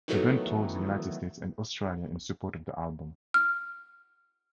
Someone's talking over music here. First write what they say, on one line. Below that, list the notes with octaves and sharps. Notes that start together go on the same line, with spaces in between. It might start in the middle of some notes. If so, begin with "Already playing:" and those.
The band toured the United States and Australia in support of the album.
D#3 E3 F#3 A3 B3
F6